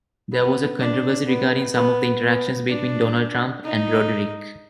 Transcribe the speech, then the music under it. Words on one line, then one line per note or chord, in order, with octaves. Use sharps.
There was controversy regarding some the interactions between Donald Trump and Roderick.
B3
D4
B3
B3
B3
D4
D#4